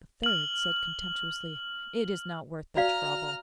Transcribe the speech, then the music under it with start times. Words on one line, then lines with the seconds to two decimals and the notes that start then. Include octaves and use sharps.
But the third said contemptuously, 'It is not worth the trouble!
0.23 F6 F#7
2.77 F#4 D5 F5 A#5 F6